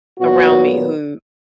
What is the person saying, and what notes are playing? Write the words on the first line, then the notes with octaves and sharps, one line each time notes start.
around me who
A#2 F#3 B3 F#4